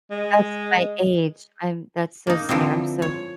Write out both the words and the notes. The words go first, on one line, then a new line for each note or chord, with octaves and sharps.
That's my age, I'm that's so scary, I'm so
G#3
A#3 D#4
D3 E3 F3 A#3 C4
C#5